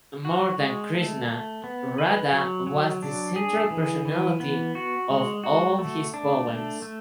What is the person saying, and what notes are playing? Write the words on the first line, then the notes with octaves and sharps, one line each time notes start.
More than Krishna, Radha was the central personality of all his poems.
F#4
G#3
A3
A3
B3
B4
F#3
F#3
D4
G#4
E3
E3
B3
F#4
G#3
F#4
A3
D4
A3
A3